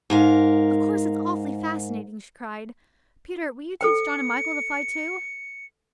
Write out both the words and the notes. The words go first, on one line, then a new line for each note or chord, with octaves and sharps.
"Of course it's awfully fascinating!" she cried. "Peter, would you teach John and Michael to fly too?"
G#2 A#4 F5
A4 C5 G5 C#7